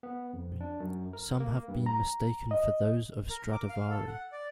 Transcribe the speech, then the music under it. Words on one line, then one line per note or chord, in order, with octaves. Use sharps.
Some have been mistaken for those of Stradivari.
B3
F2
D4
F#2
A#4
A#3
G2
A#5
D#5
A#4
D6
F5
A4
F#5
D5